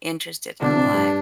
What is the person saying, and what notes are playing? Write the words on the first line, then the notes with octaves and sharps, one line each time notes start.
interested and alive.
B2 D3 D4
C3 E3
A2
G2